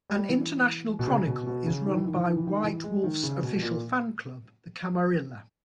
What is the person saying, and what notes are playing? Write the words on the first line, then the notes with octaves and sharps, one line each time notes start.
An international chronicle is run by White Wolf's official fan club, the "Camarilla".
G3
E3
B2
C#3
C#3
B2
B2
C#3
D#3
E3
D#3
E3
D#3
E3
D#3
E3
G#3
D#3
C#3
B2
A#2